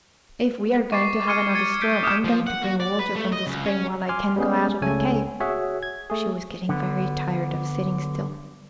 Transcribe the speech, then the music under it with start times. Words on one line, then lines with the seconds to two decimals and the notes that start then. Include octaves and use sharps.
"If we are going to have another storm I am going to bring water from the spring while I can go out of the cave." She was getting very tired of sitting still.
0.92 C#6 D6 A6 C7
1.27 F6 G#6 C#7 D#7
1.54 C#6 G#6 A6 C#7
1.81 F6 G6 B6 D7
2.03 D6 D#6 F6 G6 C#7 E7
2.24 F3
2.47 F#5
2.63 F#4
2.80 D5
2.99 B4
3.15 A3
3.32 D#5
3.47 C#2
3.65 C#4
4.09 G#5 C6 D6 F6
4.36 G3 G#3 B3 C#4 G#4
4.82 C#2 C#3 A3 A4 C#5 G#5
5.40 F#4 G#4 C#5 E5 F#5
5.83 G#6
6.10 A3 G#4
6.69 D3 B3